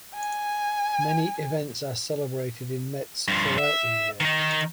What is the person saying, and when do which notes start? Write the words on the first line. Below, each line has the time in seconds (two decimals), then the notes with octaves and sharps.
Many events are celebrated in Metz throughout the year.
0.15 G#5
3.28 G2 F3
3.58 E5
4.20 D#3 D#4